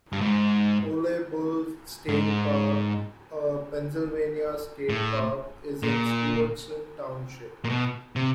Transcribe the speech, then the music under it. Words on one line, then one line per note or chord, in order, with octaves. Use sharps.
Ole Bull State Park a Pennsylvania state park is in Stewardson Township.
G2
G#2
G#2
A2
A#2
A#2
B2
C3